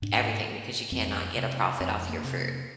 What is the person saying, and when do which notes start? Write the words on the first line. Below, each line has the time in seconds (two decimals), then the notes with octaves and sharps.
everything, because you cannot get a profit off your fruit.
0.02 G#2 D4
0.92 F2 C4
1.35 C3
1.80 F2 C4
2.09 A#3
2.24 C3
2.40 A#3